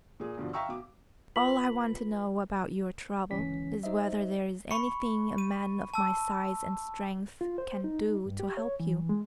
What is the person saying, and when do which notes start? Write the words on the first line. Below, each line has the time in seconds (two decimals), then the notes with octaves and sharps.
"All I want to know about your trouble is whether there is anything a man of my size and strength can do to help you."
0.20 A#2 G#4
0.37 G2 B2 D3 F3
0.53 E5 F5 G5 A#5 C#6 E6
0.69 B2 D6
1.36 F4 B4 B5 B6 F#7
3.31 G1 C#2 E3 C#4 B6
3.83 D#4 C5 D#5 E5
4.71 B5 C#6 C#7
5.38 D#7
5.94 A5 E6
7.41 F4
7.58 C5
7.84 D#4
8.26 G2
8.40 G4
8.57 C#5
8.80 E3
9.09 G#3